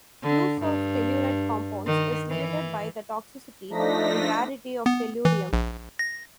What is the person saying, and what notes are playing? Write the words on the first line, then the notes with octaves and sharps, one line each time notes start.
Use of telluride compounds is limited by the toxicity and rarity of tellurium.
D3
G2
D#3
E3
F3 A3 D4 D#4 A#6 B6
B3
E3
A#1
A#6